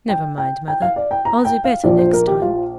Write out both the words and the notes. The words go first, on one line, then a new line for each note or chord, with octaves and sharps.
'Never mind, Mother; I'll do better next time.'
G5
G5
G5
F5
D5
G5
A#5
G5
F5
A#1 A#2 F3 D5
C5
A#4
G4
F4